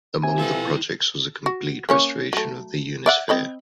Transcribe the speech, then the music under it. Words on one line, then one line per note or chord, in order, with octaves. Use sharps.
Among the projects was a complete restoration of the Unisphere.
C3 G#5
F3 E4 A4 B4 G5
F#4
A#3 C#4 C#5
F#3 A3
D5 E5 F#5
C4 D#5 B5